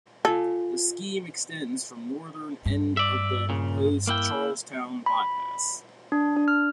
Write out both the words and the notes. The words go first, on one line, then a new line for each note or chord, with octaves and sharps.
The scheme extends from northern end of the proposed Charlestown bypass.
F4 A4 G#5
G2
D5 E5
A#2 C#3
A#3 E4 G5
B5
D4
D4
F6